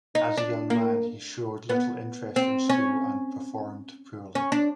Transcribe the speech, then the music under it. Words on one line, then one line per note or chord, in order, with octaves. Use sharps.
As a young man, he showed little interest in school and performed poorly.
D#4
D4
A#3
B3
C4
C#4
C#4
D4